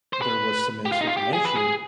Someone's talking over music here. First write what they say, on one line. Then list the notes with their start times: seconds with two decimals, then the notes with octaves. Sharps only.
there was some misinformation,
0.13 C5
0.22 B4
0.85 G4
0.92 F4
1.01 D#4
1.07 F4
1.17 G4
1.33 G#4
1.45 B4
1.56 G#4